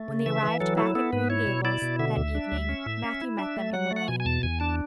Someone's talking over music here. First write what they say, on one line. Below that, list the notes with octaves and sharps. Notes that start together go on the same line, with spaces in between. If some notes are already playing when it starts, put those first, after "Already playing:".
When they arrived back at Green Gables that evening Matthew met them in the lane.
Already playing: A3
C#3
E3 E5
E3
F#3 A4
E4 A4
B3 A4
G#2 B4
E4 C#5
B2
E4 D5
B2
D3 E5
D2
D4
D2
C#4
A2
C#4
E4
D4 E5
A3
F#3 F#5
A3
F#5
B2 G#5
G#5
E2 A5
E2 G#5
D4 A5